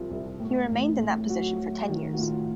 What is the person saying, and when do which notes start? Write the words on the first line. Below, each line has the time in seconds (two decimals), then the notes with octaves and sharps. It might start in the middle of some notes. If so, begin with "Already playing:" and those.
He remained in that position for ten years.
Already playing: C2 F3 F4
0.11 C2
0.40 A2
0.70 A1
1.00 A2
1.29 F#3 F#4
1.58 F#3
1.89 D#3
2.13 F#4
2.18 A2 F4